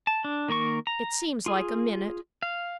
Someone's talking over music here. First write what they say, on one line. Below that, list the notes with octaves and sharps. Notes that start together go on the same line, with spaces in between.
It seems like a minute.
A5
D4
D#3 A#3 A#4 C#6
A#5
F4 G#4
F5